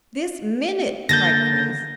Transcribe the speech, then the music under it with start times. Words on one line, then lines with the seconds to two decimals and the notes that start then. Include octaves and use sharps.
"This minute!" cried Grace.
1.09 D3 A#3 G6 A6 A#6